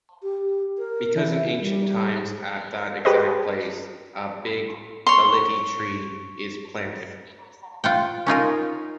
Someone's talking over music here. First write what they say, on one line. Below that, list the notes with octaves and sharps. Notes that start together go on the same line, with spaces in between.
Because in ancient times at that exact place, a Big Baliti Tree is planted.
G4
A#4
E3
G3
G4 G#4 B4 C5 D#5
C#5 C6
F4 F#5 G5
C#4 D#4 F4 A#4